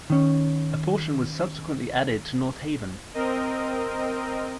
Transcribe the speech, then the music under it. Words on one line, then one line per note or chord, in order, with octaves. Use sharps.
A portion was subsequently added to North Haven.
D#3 C#4
C4 A#4 D#5